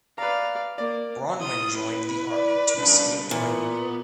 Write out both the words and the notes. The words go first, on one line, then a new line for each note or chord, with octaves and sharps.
Bronwyn joined the army to escape Dwayne.
B4 D5 F5 A#5
A#3 D5
E4 C6 D#6
B4
D5
C2 C#3 D4
A#2 E3 B3